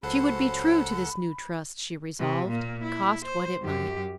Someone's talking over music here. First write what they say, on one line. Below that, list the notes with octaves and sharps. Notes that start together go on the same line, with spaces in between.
She would be true to this new trust, she resolved, cost what it might.
C#2 F#3 C#4 A4 C5 F#5 B5
C3
A#2 A#3
E4
C5
F#2 G4